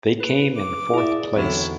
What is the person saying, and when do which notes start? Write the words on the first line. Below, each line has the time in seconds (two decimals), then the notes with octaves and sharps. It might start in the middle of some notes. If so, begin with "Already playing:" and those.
They came in fourth place.
0.20 B4
0.55 D6
0.94 E4 G#4 D5
1.35 E2 D3 F#3 C4 D#4 E4 F#4